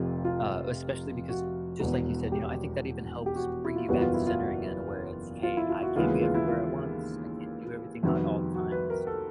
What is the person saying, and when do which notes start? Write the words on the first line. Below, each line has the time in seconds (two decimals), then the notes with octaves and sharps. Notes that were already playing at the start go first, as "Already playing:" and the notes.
Uh, especially because just like you said, you know, I think that even helps bring you back to center again, where it's, "Hey, I can't be everywhere at once, I can't do everything at all the times."
Already playing: F1 F2 C3 F3 F4
0.25 F4
1.29 F#4
1.80 E1 E2 B2
2.32 G4
3.26 G4
3.36 F#4
3.65 E4
3.76 F4
3.88 F#1 E2 B2 G3 B3 F#4
4.01 F4
4.14 E4
4.27 F4
4.40 F#4
5.43 F4
5.57 E4
5.69 F4
5.82 F#4
5.96 D#2 C#3 E3 G#3 B3 F4
6.21 F4
6.35 E4
6.48 F4
8.03 F2 C3 D#3 G3 B3 F#4
8.55 F#4
8.72 B4
8.90 A#4
9.07 A4